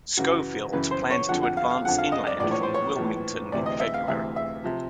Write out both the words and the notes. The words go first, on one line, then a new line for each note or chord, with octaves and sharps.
Schofield planned to advance inland from Wilmington in February.
F#2 C#3 E3 F#4
F#2 C#3 E3 B4
C5
C#5
F2 D3 F3 F#5
F#5
F5
F5
F2 D3 F3 F#5
F5
D#5
D5
A#1 A2 E3 D5
C#5
C5
C#5
A#1 A2 E3
D2 C3 E3 D5
D#5
E5
F5
D2 C3 E3 E5
E5
C3 F3